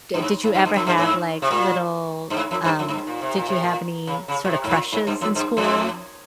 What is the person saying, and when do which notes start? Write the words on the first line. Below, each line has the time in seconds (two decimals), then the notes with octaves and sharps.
D did you ever have, like, little, uh, um did you have any, sort of, crushes in school?
0.14 G2
0.22 G#2
0.44 G#2
0.55 G2
0.65 G2
0.76 F2
0.87 G2
0.98 G#2
1.42 C3
1.51 A#2
2.30 G2
2.37 G#2
2.51 F2
2.64 G2
2.79 F2
2.88 G#2
2.93 G2
3.07 A#2
3.21 C3
3.35 A#2
3.49 C3
3.63 A#2
4.07 C#3
4.28 C#3
4.45 A#2
4.50 C3
4.64 G#2
4.71 A#2
4.92 G#2
5.07 G2
5.21 F2
5.35 G2
5.57 F2